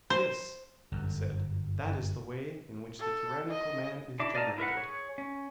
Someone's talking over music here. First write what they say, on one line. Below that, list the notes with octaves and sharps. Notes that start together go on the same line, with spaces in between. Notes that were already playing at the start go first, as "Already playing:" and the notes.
Yes, he said, that is the way in which the tyrannical man is generated.
C5
G1 F#2
A4
D#5
C#3 D4 E4 D6
D5 D#5 F5 A5 A#5
E4 A#4 B4 F#5
G#4 C#5
C#4